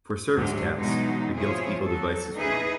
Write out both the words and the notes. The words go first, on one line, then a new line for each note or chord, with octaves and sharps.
For service caps, a gilt eagle device is worn.
D2 G#2 D3 F#3 G4
B2 E3 F#3 G#3 D#4
F3 E4 G#4 C#5
F#3 A4
D#4 E4 G#4 B4